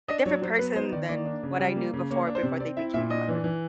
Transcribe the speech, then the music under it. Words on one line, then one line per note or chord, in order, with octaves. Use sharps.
a different person than what I knew before, before they became a mother.
D4 D#5
F#3 C#5
F#3 C5
B3 B4
D#4 C5
D#3 D5
A#3 D5
D4
C#3
G3
A#3
C#3
A#3 C#5
D4
C5
C3
C4 D5
E4 E5
A#2 E5
D4 D#5
E3
E3